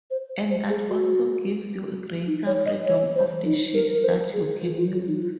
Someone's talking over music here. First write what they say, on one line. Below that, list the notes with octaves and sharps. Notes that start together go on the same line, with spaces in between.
And that also gives you greater freedom of the shapes that you can use.
C5
C5
G#4
F#4
D#4
C#5
D#5
C#5
C5
D#4
A#4
A#4
C5
G#4
F4
F4
F#4
D#4
F4